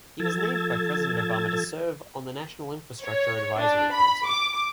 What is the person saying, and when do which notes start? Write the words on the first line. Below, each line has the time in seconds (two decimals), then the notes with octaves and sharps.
He was named by President Obama to serve on the National Infrastructure Advisory Council.
0.20 F3 A4 E6 G#6 A6
3.05 C#5
3.61 D4
3.94 B5
4.28 D6